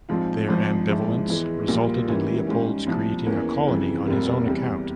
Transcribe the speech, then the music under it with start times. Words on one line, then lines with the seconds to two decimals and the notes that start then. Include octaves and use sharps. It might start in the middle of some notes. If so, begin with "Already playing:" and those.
Their ambivalence resulted in Leopold's creating a colony on his own account.
0.09 A#1 G#2 F3 C4 F4
0.48 G#1 G#2 F3
0.88 G#1 G#2 F3 G#3 E4
1.28 E2 E3 G#3
1.68 A#1 A#2 G3 A#3 F4
2.08 G#2 E3 G3 A#3 C#4
2.47 G#2 G3 C#4
2.87 C2 A#2 F3
3.26 E2 E3 A#3 C#4
3.66 F2 C#3 E3
4.07 F1 F2 C3 G3 A#3
4.46 E2 C3 G3